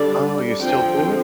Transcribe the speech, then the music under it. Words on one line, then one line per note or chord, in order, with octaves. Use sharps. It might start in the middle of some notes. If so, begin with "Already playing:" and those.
Oh, you still do it?
Already playing: D3 G3 D4 D5
D3 F3 C4 G5